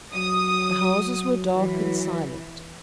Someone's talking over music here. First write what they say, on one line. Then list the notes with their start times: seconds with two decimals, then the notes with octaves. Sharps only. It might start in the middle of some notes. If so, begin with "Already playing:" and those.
The houses were dark and silent.
0.14 F#3 D#6
1.55 E3